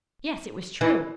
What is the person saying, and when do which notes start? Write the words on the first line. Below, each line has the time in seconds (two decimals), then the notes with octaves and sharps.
Yes; it was true.
0.81 E3